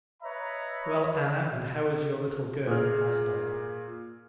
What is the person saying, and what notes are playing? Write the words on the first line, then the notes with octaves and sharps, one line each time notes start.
"Well, Anna, and how is your little girl?" asked Dolly.
B4 C#5 D#5 E5 A#5 B5
A#2 G#4 F6